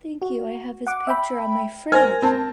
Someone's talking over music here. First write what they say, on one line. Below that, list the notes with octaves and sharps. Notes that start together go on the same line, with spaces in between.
Thank you. I have his picture on my fridge,
F#4
F#5 D6
E5 G5 B5
A#4 C5 G#5 F6 G#6 A#6
C4 A5